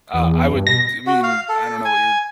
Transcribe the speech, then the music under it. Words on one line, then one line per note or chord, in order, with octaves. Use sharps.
Uh, I would I mean, I don't know what your
E2
G2
B2 A#6
F#4
F5
A4
G#5